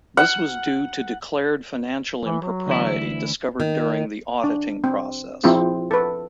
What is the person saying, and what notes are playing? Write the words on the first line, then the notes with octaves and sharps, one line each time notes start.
This was due to declared financial impropriety discovered during the auditing process.
F#5
E3
F#3
D2 E3 E4
D#3
D4
C4
F3 C4 E4 F4 G#4
A4 B4